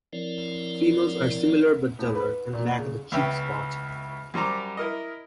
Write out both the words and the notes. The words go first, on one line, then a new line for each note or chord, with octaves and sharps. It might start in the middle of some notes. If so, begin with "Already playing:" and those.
Females are similar but duller, and lack the cheek spot.
F3 C4 E4 A#4 C#5 D5
A2
B4
A#2
C#3
C#2 B3 C#4 E5 G5
F#2 G3 C5 A#5 D6
E4 A#4 D#5